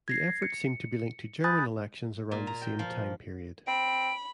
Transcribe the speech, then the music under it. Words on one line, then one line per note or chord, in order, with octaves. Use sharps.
The effort seemed to be linked to German elections around the same time period.
G#6 A#6 C7
C#7
G#5 B5 D#6 F#6 G6 A6
A#2
A#5
G5
F3
C4 B5 D7